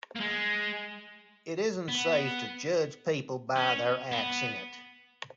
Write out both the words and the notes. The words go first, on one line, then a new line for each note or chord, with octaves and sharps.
It isn't safe to judge people by their accent.
A#3
G#3
B3
C#4
B3